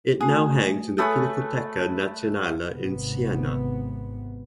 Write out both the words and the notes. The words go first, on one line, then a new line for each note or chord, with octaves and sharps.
It now hangs in the Pinacoteca Nazionale in Siena.
A3 F#4 G#4
A3 G#4 A4 B4 C#5 D#6
G#1 C3 B3